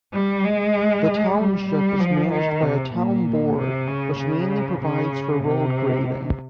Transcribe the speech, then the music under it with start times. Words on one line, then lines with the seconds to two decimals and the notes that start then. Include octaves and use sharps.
The township is managed by a town board which mainly provides for road grading.
0.13 G3
0.44 G#3
1.38 G3
1.69 G3
2.00 F3
2.32 D#3
2.62 C3
2.94 A#2
3.56 C3
3.88 C#3
4.19 C#3
4.81 C#3
5.43 C3